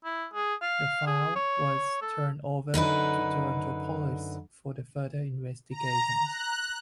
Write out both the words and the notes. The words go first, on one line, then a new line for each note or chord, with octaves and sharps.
The file was turned over to Toronto Police for further investigation.
E4
G#4
F5
G#4
C#5
A4
F#2 D3 D#4 B4
A#5
F#6